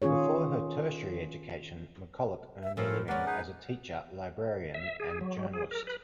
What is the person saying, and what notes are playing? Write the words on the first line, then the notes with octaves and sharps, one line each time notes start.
Before her tertiary education, McCullough earned a living as a teacher, librarian and journalist.
D#3 C#4 F4 G#4 C#5
E5
A2 F3 C4 C#4 A4 A#4 F5
G#3 C#4 A#4 B4 D5 F#5
D#4 G#4 B4
E5
G#4
F#3
G#4
A#4
B4